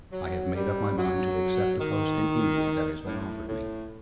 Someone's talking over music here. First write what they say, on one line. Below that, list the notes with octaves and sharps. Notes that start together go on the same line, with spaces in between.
I have made up my mind to accept a post in India, that has been offered me.
F#3
G3
F#3
D#3
A2
A2